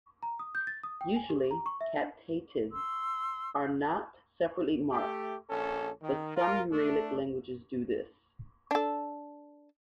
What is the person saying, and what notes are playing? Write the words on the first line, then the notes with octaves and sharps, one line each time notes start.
Usually captatives are not separately marked, but some Uralic languages do this.
A#5
D#6
G6
A6
D#6
G5
G#5
G4
A#5
C#6
E5
D4
C6 E6
A3 G4
A#1 C#4 A4
D#3
F4 A#4
A3 D4
D4 A4